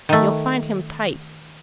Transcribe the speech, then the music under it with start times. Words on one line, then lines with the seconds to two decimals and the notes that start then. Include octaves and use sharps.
You'll find him tight.
0.09 D#3 A3